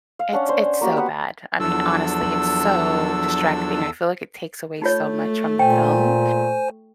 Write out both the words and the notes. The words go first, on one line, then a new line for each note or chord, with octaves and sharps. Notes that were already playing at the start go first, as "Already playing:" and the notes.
It's it's so bad. I mean, honestly, it's so distracting. I feel like it takes away so much from the film.
F5
C#4 D4 F#5
C5
C#4
A#3 F#4 G4
B3 B4 F#5
E2 F3 F#3 D4 A4 E6
A3 D#4 F4 C#5
A#2 C5 G5 G#5